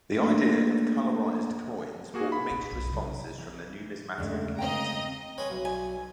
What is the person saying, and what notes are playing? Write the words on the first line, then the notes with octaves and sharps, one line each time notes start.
The idea of colorized coins brought mixed responses from the numismatic community.
A3 A#3 D4
A#3 F#4 G#4
B5
A#2
B1 F2
C3 F#3
E3
E2 G2 C#3 G#3 A3 G#4
C4 D#5 F5 G5 A#5
G#3 C#4 B4
B1
G#5